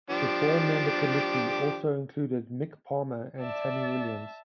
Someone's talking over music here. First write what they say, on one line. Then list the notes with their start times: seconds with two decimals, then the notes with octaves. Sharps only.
The four member Committee also included Mick Palmer and Tammy Williams.
0.10 F3 D4 G4
3.40 D5 E5 A5